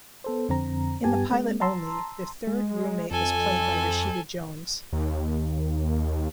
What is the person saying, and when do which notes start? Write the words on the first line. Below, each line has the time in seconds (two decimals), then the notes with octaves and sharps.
In the pilot only, the third roommate was played by Rashida Jones.
0.24 B3 A4 C5
0.49 F2 D3 C4 A#5
1.04 G2 B3 G4 G#5 A5
1.29 G#3 A#3 C4
1.61 A5 A#5 C6 E6
2.47 G#3
3.11 F2 A4 G#5
4.93 D#2